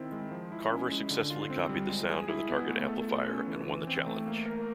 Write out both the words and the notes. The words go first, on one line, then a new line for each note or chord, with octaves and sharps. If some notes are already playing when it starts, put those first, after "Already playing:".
Carver successfully copied the sound of the target amplifier and won the challenge.
Already playing: D#3 C4 E4
G#3
F3
E4
C#4
G#3
D3
F4
C4
G3
G#3
G#4
E4
B3
A3
A4
F4
C#4
E3
E3
C4
A3
A#3
A#4